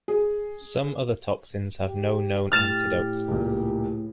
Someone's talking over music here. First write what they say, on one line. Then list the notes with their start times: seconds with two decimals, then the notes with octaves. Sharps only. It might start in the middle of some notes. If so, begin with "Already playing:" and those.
Some other toxins have no known antidote.
0.08 G#4
1.86 G4
2.52 A2 G4 F6 A6 E7
3.28 C#2 A#2